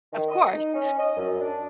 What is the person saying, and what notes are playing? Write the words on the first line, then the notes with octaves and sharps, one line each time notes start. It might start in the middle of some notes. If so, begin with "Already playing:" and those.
Of course.
D#3
D#5
D#4
C#4
D#5
F#2
D4